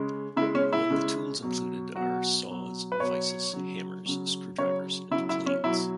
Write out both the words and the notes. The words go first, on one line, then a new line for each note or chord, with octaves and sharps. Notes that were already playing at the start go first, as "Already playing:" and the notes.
Among the tools included are: saws, vises, hammers, screwdrivers, and planes.
Already playing: C#3 G#3
C#3 E4
G#3
C#4
E4
C#3 G#3
B2 F#3
B2 F#3 F#4
B2 F#3
B4
B2 F#3 C#5
C#3 F#3
C#3 F#3
C#3 F#3 C#5
C#3 F#3 E4
E4
C#4
B2 F#3 E4